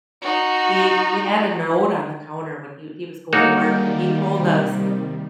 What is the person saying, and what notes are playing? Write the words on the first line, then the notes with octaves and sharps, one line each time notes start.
he he had a note on the counter when he he was going to work, and he told us,
D#4 F#4
D#3 G3 G#3 A#3 D#4 F#4 C#5
C3